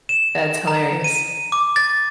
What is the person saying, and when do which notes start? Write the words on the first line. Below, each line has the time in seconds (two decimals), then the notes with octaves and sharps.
That's hilarious.
0.09 E7
0.67 A#5
1.04 D#7
1.52 D6
1.76 A6